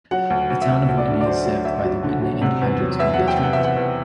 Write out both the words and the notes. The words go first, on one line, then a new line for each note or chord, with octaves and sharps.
The Town of Whitney is served by the Whitney Independent School District.
F#3 F#5
D2
D2
E5
D2 F#5
D2
D5
D3
D5
F#3 C5
F#3
D2 E5
F#3
D3
F#3
C3 F#5
E2
F#3
E2 E5
F#3 F#5
G5
C3 F#5
E2 E5
F#5
E2